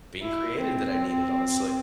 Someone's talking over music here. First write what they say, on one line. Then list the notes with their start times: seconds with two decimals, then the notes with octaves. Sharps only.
being created, that I needed, honestly.
0.22 E4
0.60 C4